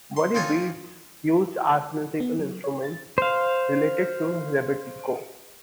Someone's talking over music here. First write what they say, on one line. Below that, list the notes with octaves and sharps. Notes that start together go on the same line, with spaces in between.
Worry beads used as musical instrument, related to rebetiko.
C6
C4 D#4 F4 C#5 G#5 A5
B3
F#3
C#5
A6
C5 F5